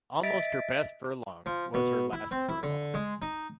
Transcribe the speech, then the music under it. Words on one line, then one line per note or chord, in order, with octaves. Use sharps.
Almost her best furlong was her last furlong.
D#5 E5 A6 B6 D7
F3
B2
E4
C4
E4
D3
G#3
D#4